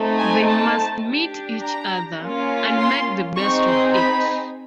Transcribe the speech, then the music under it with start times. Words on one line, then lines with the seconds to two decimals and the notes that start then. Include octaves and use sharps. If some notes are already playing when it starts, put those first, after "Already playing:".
They must meet each other, and make the best of it.
Already playing: A3 C4 D#4
0.18 G#5
0.46 A5
1.05 D4 G4
1.62 A#5
2.20 A#3 C#4 F4
2.79 C6
3.36 C4 D#4 G#4 C#6
3.66 C6
3.94 B5